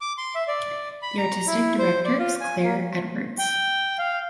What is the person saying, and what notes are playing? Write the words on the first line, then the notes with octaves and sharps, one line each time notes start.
The artistic director is Claire Edwardes.
D6
C6
E5
D5
B5
A#5
E4
C5
D5
F4
G#5
A#3
G5
F5